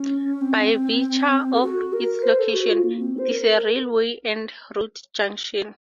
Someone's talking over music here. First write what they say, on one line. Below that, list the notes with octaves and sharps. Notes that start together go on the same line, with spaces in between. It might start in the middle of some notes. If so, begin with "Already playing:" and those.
By virtue of its location, it is a railway and road junction.
Already playing: C#4
C4
A4
F#4
A#4
C5
A4
F#4
F4
A#3
C4
C5
A#4
A#4